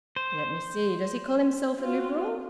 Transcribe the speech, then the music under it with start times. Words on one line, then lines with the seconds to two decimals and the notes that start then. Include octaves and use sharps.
"Let me see, does he call himself a Liberal?"
0.16 C5
1.79 C4 F4 F#4